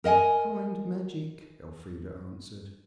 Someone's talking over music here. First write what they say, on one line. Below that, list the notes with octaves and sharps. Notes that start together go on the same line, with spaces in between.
"Kind magic," Elfrida answered.
A#4 D#5 F#5 G#5